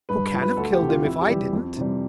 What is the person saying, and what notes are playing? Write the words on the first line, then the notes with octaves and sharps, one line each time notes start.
Who can have killed him if I didn't?
G2 B4
B4
F3
B4
D2 A4
G4
C3 E3
F4
F2 E4
G4
E3 G3
F2
C3 E3 G3